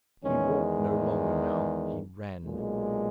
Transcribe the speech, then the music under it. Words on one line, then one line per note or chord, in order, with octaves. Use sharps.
He walked no longer now; he ran.
E2 D#3 G#3 C#4
B1 A#2 G#3